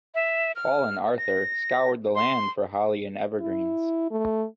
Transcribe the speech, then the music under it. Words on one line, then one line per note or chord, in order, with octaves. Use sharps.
Paul and Arthur scoured the land for holly and evergreens.
E5
F6
A#6
C6
E4
A3